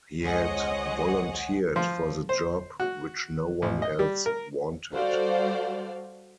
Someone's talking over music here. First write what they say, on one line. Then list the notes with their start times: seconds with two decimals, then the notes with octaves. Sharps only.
He had volunteered for the job, which no one else wanted.
0.22 C#2 G#4 C5 C#5 D#5 F#5
1.76 F3
2.29 C5
2.80 F#4
3.62 A1
3.82 D#5
3.99 G3
4.26 A#4
4.94 G3 F#4 A4 C5 D5 F5